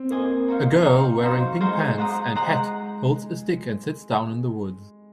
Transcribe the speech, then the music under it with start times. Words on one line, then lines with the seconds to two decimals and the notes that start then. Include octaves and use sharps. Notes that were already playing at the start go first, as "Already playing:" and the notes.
A girl wearing pink pants and hat holds a stick and sits down in the woods.
Already playing: C4
0.11 A#3 C5 D#5 G#5 D#6
0.48 D#4 F#4 C5 F5
0.85 D#4 F#4 C5 F5
1.23 F#3 D#4 F#4 C5 F5
1.60 G#3 D#4 F#4 C5 F5
1.98 C5 F#5 A#5 D#6
2.35 G#3 C5 F#5 A#5 D#6